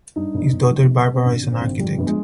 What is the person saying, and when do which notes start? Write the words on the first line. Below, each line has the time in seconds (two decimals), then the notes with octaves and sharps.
His daughter Barbara is an architect.
0.16 G2 D#4
0.34 G1
0.52 G1
0.70 F2
0.89 C3
1.06 C3
1.13 C4
1.25 G#1 D4
1.43 D3
1.52 C4
1.61 G#1
1.79 F2 G3
1.98 G1 B3
2.07 G#3